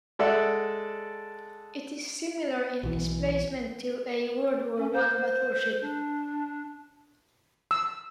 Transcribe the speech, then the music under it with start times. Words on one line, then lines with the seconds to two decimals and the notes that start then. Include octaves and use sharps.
It is similar in displacement to a World War One battleship.
0.19 G#3 A4 D5 E5 F#5
2.83 B1 B2 E3
4.78 C#4
4.93 C5
5.81 D4
7.71 E6